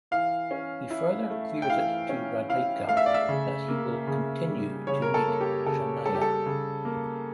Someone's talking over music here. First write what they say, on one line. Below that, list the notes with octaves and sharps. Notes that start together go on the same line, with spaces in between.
He further clears it to Radhika that he will continue to meet Shanaya.
E3 F5
C#4
E4
A3
G5
E3 F5
C#4
E4 F5
A3 F5
E5
D5
E5
C#3
A#3
C#3
G3
C#3 C#5
A#4
A4
A#3
G4
C#3 A4
G3 A4
G4
A4
C#3
A#3